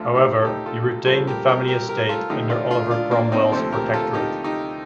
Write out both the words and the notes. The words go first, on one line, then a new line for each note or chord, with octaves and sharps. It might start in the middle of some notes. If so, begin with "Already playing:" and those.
However he retained the family estate under Oliver Cromwell's protectorate.
Already playing: D2 D3 F3 F4 A4
D#4 G4
A4
D#4 G4
F4 A4
C2 A#2 F3 A4 C5
G4 A#4
G4 A#4
G4 A#4
G4 A#4
F4 A4
D2 D3 F3 D#4 G4
D4 F4
D4 F4
D4 F4
A#3 D4
C4 D#4
D2 C3 F3 A4 C5
G4 A#4
F4 A4
D#4 G4
D#4 G4